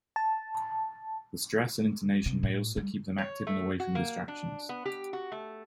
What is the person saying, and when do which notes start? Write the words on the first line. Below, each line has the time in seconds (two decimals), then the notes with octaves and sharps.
The stress and intonation may also keep them active and away from distractions.
0.16 A5
2.26 C3
2.43 A2
2.77 G3
3.18 C#5
3.47 A3
3.80 F#4
3.95 A#3
4.28 D4
4.69 B3
4.85 G4
5.13 F#4
5.32 A3